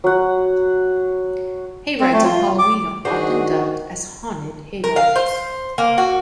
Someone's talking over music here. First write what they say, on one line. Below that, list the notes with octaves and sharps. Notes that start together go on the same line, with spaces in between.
Hayrides on Halloween are often dubbed as 'haunted hayrides'.
F#3 F#5
C4
A3
F4
D6
D#3 D4 F#4 G#4 C5
A#4
F5
C5
A#3
F#4